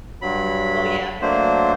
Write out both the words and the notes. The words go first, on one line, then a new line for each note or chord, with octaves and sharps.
Oh, yeah.
G2 F#3 B5
F#3 A3 A#3 D4 C5